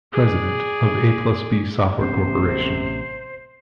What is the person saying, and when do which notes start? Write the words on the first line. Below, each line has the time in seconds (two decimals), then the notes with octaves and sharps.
President of AplusB Software Corporation.
0.13 G#4 D5
1.99 A1 C3 B3 C#4 C5